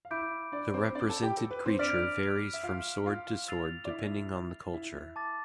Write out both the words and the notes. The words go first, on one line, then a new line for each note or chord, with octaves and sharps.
The represented creature varies from sword to sword depending on the culture.
F5
E4 E5 B5 D6 G6 D7
D4 D5
C4 C5
D4 D5
A4 A5
G4 G5
A4
B4
C4 C5
D4 D5 F6 B6 D7 F7
E5
F4 F5
F4 F5
E6 A6 C7 F7
D5
E4 E5
E4 E5
A5 D6 A6